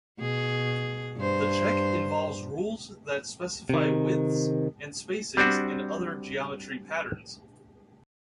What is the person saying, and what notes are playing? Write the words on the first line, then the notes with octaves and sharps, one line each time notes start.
The check involves rules that specify widths and spacings and other geometry patterns.
B2 G#4
G2 C5
C3 D#3
G3 C4 D4 F#4